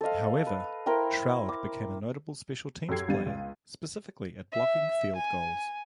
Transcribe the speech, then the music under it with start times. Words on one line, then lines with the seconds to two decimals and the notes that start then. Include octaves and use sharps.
However, Stroud became a notable special teams player - specifically at blocking field goals.
0.01 A4 C5 D#5 F5
0.47 B4
0.86 E4 A#4 C5 G5
1.49 D6
2.89 F#2 G4 A4 G#6 C7
3.08 G1 D3 G3 F5 A6 D#7
3.26 C#2
4.52 E5
5.16 G#5